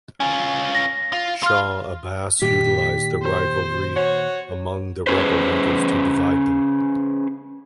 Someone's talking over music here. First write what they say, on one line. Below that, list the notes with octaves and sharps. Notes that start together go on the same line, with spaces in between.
Shah Abbas utilised the rivalry among the rebel leaders to divide them.
C#4 F4 G#5
A#6
F4
F4 F5 C6 F6
A#2 D#3 G4 B6
C5
F#4 C#5
C#4 G#4 B4 C5